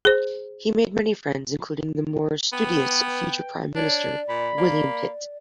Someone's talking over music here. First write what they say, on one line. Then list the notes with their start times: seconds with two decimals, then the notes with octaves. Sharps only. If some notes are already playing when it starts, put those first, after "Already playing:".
He made many friends including the more studious future Prime Minister William Pitt.
0.05 G#4 C5
2.53 B3 G5
2.86 B4
3.76 D4 C#5 D5
4.29 A#2 B5
4.58 A#3